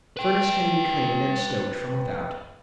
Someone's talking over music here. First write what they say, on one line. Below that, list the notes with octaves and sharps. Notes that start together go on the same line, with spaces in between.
The furnace can be cleaned and stoked from without.
B4 G5